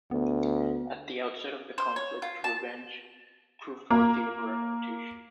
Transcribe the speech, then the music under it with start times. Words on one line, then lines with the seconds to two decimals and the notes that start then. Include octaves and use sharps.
At the outset of the conflict, "Revenge" proved worthy of her reputation.
0.11 D2 B3
1.78 C5
1.96 C#5
2.22 F4
2.44 A5
3.90 A#3